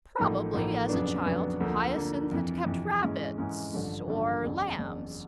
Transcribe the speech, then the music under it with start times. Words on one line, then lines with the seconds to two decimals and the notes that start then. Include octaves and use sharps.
Probably as a child Hyacinth had kept rabbits . . . or lambs.
0.18 A1 A2 F3 A#3 D#4
0.54 A1 A2 F3 A#3 D#4
0.89 F2 C#3 F#3 B3 D4
1.25 F2 C#3 F#3 B3 D4
1.60 D2 D3 F3 A#3
1.95 D2 D3 F3 A#3
2.31 F2 C3 E3
2.66 F2 C3 E3
3.02 G#2 E3 G#3 C#4
3.38 G#2 E3 G#3 C#4
3.73 A1 G2 D3 F3
4.08 A1 G2 D3 F3
4.43 F#1 E2 C#3
4.78 F#1 E2 C#3